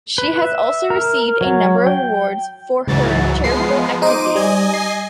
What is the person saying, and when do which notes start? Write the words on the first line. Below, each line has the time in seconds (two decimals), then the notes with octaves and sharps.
She has also received a number of awards for her charitable activities.
0.18 B4
0.42 E5
0.90 A#4
1.41 F#3
1.87 G5
2.88 C#2 G#2 E3 F#3 A6
3.44 F3 G#3 B3 C7
4.02 D#4 C5 D#5 D6 D#7
4.35 G3 D#5 G#5
4.74 C7